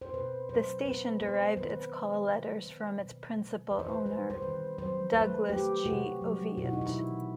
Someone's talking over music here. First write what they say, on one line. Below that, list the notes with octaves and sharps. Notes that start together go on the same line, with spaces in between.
The station derived its call letters from its principal owner: Douglas G. Oviatt.
C5
B2 B4
F#3 C5
B3 B4
B3 C5
D#3 B4
F#3
C3
D#3
B2
G3
E3 B4
C5
B4
G3 C5
C5
D#3 B4
F#3 C5
A3 B4
A3 G4
C3 F#4
F#3
B2 F#4
E4
D#4
E4
F#3